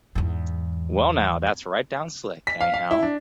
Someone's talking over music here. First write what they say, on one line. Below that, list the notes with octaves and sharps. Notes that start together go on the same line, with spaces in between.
Well, now, that's right down slick, anyhow.
E2 G#2
B6
F5
F5
E4
D4